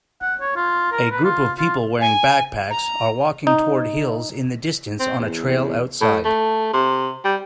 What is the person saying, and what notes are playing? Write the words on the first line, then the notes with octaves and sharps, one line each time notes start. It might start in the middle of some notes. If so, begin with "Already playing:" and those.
A group of people wearing backpacks are walking toward hills in the distance on a trail outside.
F#5
C#5
F4
A#4
B4
F4
F4
G#5
A#5
D#4
C4
E2
A2
A3
C3
G3